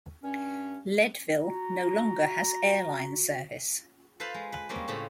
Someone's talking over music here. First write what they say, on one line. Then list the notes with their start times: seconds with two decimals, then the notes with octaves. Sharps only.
Leadville no longer has airline service.
0.23 G2 C#4
1.42 F#4 A#5
4.20 A4 B4 C5 F5 A5 B5
4.34 G#3
4.52 B4
4.69 G3 G#3 A#3 C4 C#4
4.88 A2 C#3 C4 A5 B5